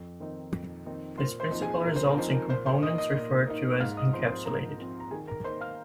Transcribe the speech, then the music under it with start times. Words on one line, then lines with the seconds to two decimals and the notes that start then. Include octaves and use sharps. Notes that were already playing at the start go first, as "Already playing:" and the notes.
This principle results in components referred to as "encapsulated".
Already playing: F2
0.20 D#3 C4 D#4
0.52 F2
0.86 D#3 C4 D#4
1.18 A#2 C5 C6
1.40 C5 C6
1.50 F3 C4 D#4
1.62 G#4 G#5
1.83 A#2 A#4
1.96 C5
2.07 A#4
2.17 F3 C4 D#4 C5
2.30 A#4
2.49 A#2 C5
2.66 C5 C6
2.82 A#3 D#4 D#5 D#6
2.98 D#5 D#6
3.15 A#2
3.47 A#3 D#4
3.80 G#2 F5 F6
3.97 D#5 D#6
4.13 F3 C5 C6
4.18 C4
4.29 C5 C6
4.45 G#2 A#4 A#5
4.79 F3 C4
5.00 A#5
5.11 D#3 G#4 G#5
5.27 A#4 A#5
5.44 A#3 C5 C6
5.47 D#4
5.61 F5 F6